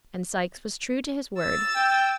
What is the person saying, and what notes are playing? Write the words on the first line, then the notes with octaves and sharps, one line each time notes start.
And Sikes was true to his word.
E6 A6
G5